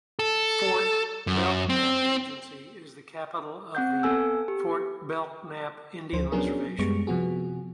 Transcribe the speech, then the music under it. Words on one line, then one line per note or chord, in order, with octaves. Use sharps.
Fort Belknap Agency is the capital of the Fort Belknap Indian Reservation.
A4
F#2
C4
C4 F#5 G6
B3 A4 G#5 E6
G4
D2 F3 C5
F#3 B3 C#4 D4 G#4 A#4
F#2 G3 G#3 B3 C#6
C3 F3 B3 F#4 G#4